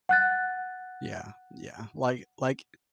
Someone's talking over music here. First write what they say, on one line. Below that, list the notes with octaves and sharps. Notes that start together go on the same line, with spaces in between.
Yeah, yeah. Like like,
F#5 F#6 A6